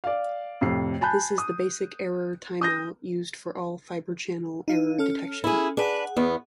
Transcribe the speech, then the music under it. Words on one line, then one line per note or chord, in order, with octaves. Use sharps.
This is the basic error timeout used for all Fibre Channel error detection.
D5 F5
F2 A2 C3 C7
G#5 A5 B5 F#6 G6
D#6
D#6 G6 A#6
D#4 F5
C#4 A4 F6
E4 G#4
D4 G#4 B4 F#5
E2 B3